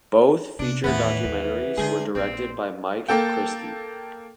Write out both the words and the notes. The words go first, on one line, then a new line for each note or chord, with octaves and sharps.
Both feature documentaries were directed by Mike Christie.
C3 D4
D#2 A2 E3 B3
D#2
D3 G#3 G#4
A#1 C4
A#3 A4 G5